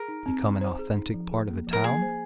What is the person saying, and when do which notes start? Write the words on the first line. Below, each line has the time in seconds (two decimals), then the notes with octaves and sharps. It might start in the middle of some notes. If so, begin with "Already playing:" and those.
Become an authentic part of the town?
Already playing: G#4 A#4
0.08 D#4
0.26 C4
0.43 D#4
0.61 C5
0.79 G#4
0.97 D#4
1.14 F3
1.31 G#4
1.49 A#3
1.67 F3
1.73 A#4
1.84 A#3 G#4
2.02 C5